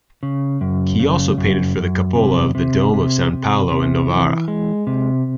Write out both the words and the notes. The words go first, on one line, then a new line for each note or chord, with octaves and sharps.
He also painted for the cupola of the dome of San Paolo in Novara.
C#3
F#2
C#3
F#2
F#2
C3
C3
C3
C3
C3
E3
G#3
C3